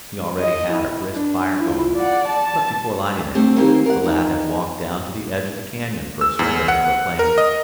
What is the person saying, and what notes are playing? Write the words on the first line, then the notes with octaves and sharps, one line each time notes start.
He already had a brisk fire going, but before lighting it, the lad had walked down to the edge of the canyon for a survey of the plain.
D#5
E4
D4
E4 F4
D5 F#5
A5
D3 G3 A3 C4
D#3 E3 A#3 C4 G4
A#4 F#5
D#4
E6
E2
F#5
A#4
D#5